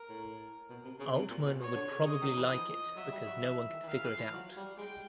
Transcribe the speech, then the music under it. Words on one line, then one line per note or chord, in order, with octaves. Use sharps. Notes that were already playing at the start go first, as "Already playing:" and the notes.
Altman would probably like it because no one can figure it out.
Already playing: A#4
A2
B2
C3
C#3
C3
A#2
B2
B2 C#5
D3
C#3
C#3 D#5
D#3
E3
F3
F#3 E5
G3
F#3
E3
D#3
E3
D#3 F5
E3
F3
F#3
G3
G#3 G5